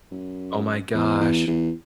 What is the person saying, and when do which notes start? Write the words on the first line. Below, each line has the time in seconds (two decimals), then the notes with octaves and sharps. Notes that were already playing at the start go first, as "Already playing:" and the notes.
Oh my gosh,
0.12 F#2
0.94 E2
1.20 E2
1.47 E2